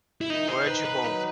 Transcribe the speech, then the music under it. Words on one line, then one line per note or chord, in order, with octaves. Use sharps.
Where'd You Go?
E4
D#3 D#4
C5
D#4 B4
B4
F#3 B4